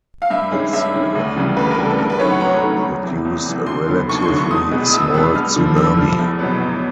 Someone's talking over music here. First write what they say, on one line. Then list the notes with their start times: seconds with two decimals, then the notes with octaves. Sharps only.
This earthquake, however, produced a relatively small tsunami.
0.22 F5
0.30 G2 E5
0.52 D#3 G#3 C#4
0.73 G2 E5
0.94 D#3 G#3 C#4
1.15 D2
1.36 C#3 E3 G3
1.56 D2 B4
1.71 A#4
1.78 C#3 E3 G3
1.85 A4
1.98 G2 A#4
2.10 B4
2.19 D#3 F#3 A3 C#4 C#5
2.30 F#5
2.41 G2 A#5
2.62 D#3 F#3 A3 C#4
2.83 E2
3.03 C3 E3
3.25 E2
3.46 C3 E3
3.66 D#2 C6
3.88 D3 F#3 B3
4.09 D#2 C#6
4.22 C6
4.30 D3 F#3 B3
4.37 C#6
4.51 E2 D#6
4.71 B2 G#3 B3
4.86 D#6
4.93 E2 E6
5.14 B2 G#3 B3 E6
5.35 G2 F6
5.56 D3 F3
5.76 G2 E6
5.97 D3 F3 F6
6.18 E2
6.39 B2 F#3 B3
6.60 E2